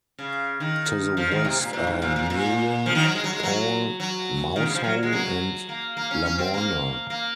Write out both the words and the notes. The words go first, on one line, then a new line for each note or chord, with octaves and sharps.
To the west are Newlyn, Paul, Mousehole and Lamorna.
C#3
D#3
F3
D#3
C3
A#2
A#2
G#2
A#2
A#2
A#2
F3
D#3
F#3
G#3
F#3
G#3
F#3
F#3
D#3
C#3
F3
F#3
G#3
F#3
A#3
A#3
C#4
C#4
C4
A#3
A#3